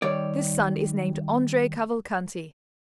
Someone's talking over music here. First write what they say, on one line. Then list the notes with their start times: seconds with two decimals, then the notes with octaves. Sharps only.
This son is named Andrea Cavalcanti.
0.02 D#3 G3 C#5 D5